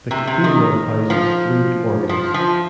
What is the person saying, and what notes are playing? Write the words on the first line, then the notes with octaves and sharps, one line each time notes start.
The Cathedral houses three organs.
C3
C3
D#3
F3
F3
F3